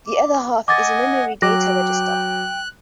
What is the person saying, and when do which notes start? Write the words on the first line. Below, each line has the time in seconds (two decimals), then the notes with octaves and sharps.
The other half is a memory data register.
0.06 D6
0.68 D#5 F#5 G#5 D6 A6
1.42 F#3 G5 D6 F#6 A#6